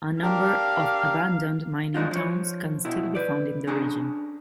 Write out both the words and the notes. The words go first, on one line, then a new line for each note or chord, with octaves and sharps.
A number of abandoned mining towns can still be found in the region.
D4 G4 A#4 F5
G2 G#3 D4 D#4 F4
F3 C#5
B2 E4
B4 D5
C#4 D4 G#4 A#5